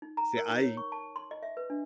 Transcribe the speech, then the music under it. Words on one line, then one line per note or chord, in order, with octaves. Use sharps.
See I
D#4
A#5
A#4
D#4
C#5
C#6
A5
C6
D#5
E5
B4
D4